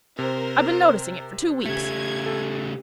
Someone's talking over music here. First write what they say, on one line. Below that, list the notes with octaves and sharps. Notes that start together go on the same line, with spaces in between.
I've been noticing it for two weeks.
C3 A#4 C5
C#3 A3 G4 G#6
A4